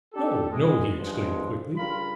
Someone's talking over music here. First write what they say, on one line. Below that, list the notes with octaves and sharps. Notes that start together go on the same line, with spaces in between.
"No, no," he exclaimed quickly.
D4 G4 A4
E3 G3 G#3
G2 E3 F3 G#3
G2 C#3 F4 A#4 B5